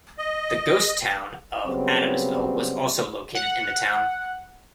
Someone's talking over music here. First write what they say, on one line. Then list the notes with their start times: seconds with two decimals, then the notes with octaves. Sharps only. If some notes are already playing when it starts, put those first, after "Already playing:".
The ghost town of Adamsville was also located in the town.
0.18 D#5
1.66 C#3 F#3 G3 B3 C4
3.35 F#5